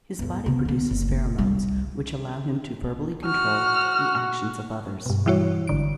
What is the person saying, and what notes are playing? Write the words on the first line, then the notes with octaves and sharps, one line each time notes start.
His body produces pheromones which allow him to verbally control the actions of others.
E2 A2
C3 B3
D3 B3
F#1
C2 G3
F#4 F6
G2 B2
E3 G3 E4 F#4 C#5
G#1 D3 D7